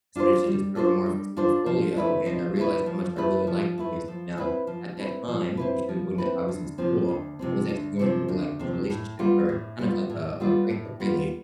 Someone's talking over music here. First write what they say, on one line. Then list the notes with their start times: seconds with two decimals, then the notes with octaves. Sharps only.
I started to discover more of his portfolio and I realized how much I really liked his music, now at that time, which in when I was in school, I was actually going through like a relationship where it's kind of like a a breakup really,
0.15 D4 F4 A4 C5
0.46 G3
0.75 D4 F4 A4 C5
1.06 G3
1.37 D4 F4 A4 C5
1.66 F3
1.96 A3 E4 B4
2.26 F3
2.56 A3 E4 B4
2.86 F3
3.16 A3 E4 B4
3.47 F3
3.78 A3 E4 B4
4.08 F3
4.37 C4 E4 B4
4.67 F3
4.97 C4 E4 B4
5.28 F3
5.57 C4 E4 B4
5.89 F3
6.18 C4 E4 B4
6.49 D2
6.78 C3 F3 C4
7.09 D2
7.39 C3 F3 C4
7.69 D2
7.99 C3 F3 C4
8.28 D2
8.59 C3 F3 C4
8.90 A2
9.19 G3 B3 F4
9.49 A2
9.79 G3 B3 F4
10.10 A2
10.40 G3 B3 F4
10.70 A2
11.00 G3 B3 F4